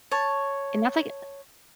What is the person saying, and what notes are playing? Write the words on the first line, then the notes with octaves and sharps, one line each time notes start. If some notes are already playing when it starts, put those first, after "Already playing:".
And that's like
C#5 A5